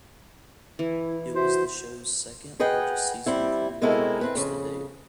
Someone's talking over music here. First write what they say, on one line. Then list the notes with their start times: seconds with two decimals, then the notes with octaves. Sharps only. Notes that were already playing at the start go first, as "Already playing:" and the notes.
It was the show's second largest season premiere audience to date.
0.79 E3 E4
1.35 F#4 C5 E5
2.60 G#4 B4 D#5 F#5 G5
3.26 G3 C4 E4
3.82 B2 G#3 C4 E4 A4 A#4
4.21 C4 B4
4.35 F2 C#3